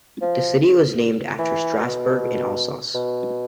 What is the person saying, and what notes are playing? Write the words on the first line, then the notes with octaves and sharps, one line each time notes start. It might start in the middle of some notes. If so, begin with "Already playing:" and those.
The city was named after Strassburg, in Alsace.
F3
E3
B2
B2